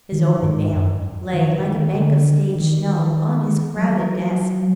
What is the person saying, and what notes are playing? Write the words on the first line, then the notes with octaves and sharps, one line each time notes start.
His opened mail lay like a bank of stage snow on his crowded desk.
D#3
G#2
F#2
D#3
D#3
D3
D#3
F#3